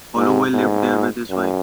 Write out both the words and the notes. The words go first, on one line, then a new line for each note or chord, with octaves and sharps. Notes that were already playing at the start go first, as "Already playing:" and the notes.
Holloway lived there with his wife.
G#2
G#2
F#2